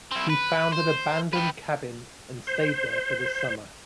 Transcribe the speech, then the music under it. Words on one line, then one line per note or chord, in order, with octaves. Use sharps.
He found an abandoned cabin and stayed there for the summer.
C4 E4
B4
C5
B4 G5
C5